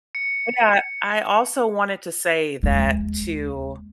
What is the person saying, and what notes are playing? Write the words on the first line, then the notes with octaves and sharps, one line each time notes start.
Yeah. I also wanted to say that to
C#7
D#2 G#3